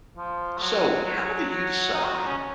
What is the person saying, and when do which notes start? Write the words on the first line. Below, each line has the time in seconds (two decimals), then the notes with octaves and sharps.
So, how do you decide
0.17 F3
0.58 A3
0.62 F#3
1.05 F#3
1.49 F#3
1.94 D#4
2.05 F#4
2.15 D#4
2.26 C#4
2.38 C#4